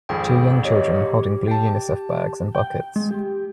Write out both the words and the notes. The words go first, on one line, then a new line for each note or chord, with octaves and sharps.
Two young children holding blue Unicef bags and buckets.
G#1 F2 G#4 G5
G4 C#5 D#5
G4
G5 A5
G5
G#3
G4